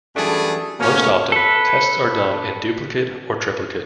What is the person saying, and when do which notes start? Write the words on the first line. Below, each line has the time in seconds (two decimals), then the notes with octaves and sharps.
Most often, tests are done in duplicate or triplicate.
0.15 F#2 E3 G3 A3 D4 G#4
0.80 B2 A3 A#3 C#4
1.32 A4 B4